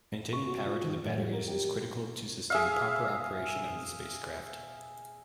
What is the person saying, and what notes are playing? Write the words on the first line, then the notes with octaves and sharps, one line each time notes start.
Maintaining power to the batteries is critical to sustain proper operation of the spacecraft.
C#6
F#4
F4
D#3
A2
G3
A#4
G4
G#4 E5 F5